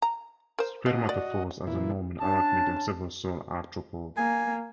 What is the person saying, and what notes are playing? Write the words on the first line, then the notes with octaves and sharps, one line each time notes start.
Spermatophores are the norm in arachnids and several soil arthropods.
A#5
A#4 C5
F3 F#4 D#5
D5
A#2 E3 E4
C#4 D4 A5
A#3 G#5